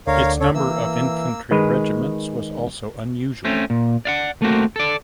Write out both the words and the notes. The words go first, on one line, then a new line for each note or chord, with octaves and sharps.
Its number of infantry regiments was also unusual.
D2 D3 A#4 C#5 F5
A4 C#5
E3 A#3 E6
D#3 G#3 G#4 B4
A3 C4 C#4
A#2
D5 F5 F#5
A3 A#3 C4 F#4
A4 D5